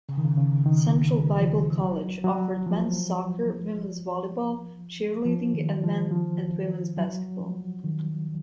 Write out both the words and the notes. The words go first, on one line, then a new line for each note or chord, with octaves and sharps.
Central Bible College offered men's soccer, women's volleyball, cheerleading, and men and women's basketball.
C#3
D#3
C#3
C#3
D#3
F3
F#3
F#3
F3
F3
D#3
F3
F3
F#3
F3
D#3